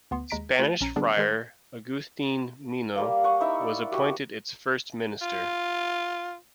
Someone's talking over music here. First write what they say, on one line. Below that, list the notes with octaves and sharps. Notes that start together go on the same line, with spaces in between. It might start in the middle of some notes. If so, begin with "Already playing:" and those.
Spanish Friar Agustin Mino was appointed its first minister.
D2 B3 C6
D#2 G#3 A#5 A#6 B6 D7
A3 F4 F#4
A#1 C#4 A#5 C#7 D#7
D3 G3 B3 D4 G#4 D5
D#3 G#3 G#4 A#4
G3 A#3 F5
F#5 C#6
D#4 E4 E5
D5
F#4 G4
F4